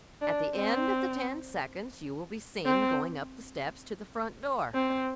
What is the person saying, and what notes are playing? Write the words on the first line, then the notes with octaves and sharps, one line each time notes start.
At the end of the ten seconds you will be seen going up the steps to the front door.
D4
C4
C4
C4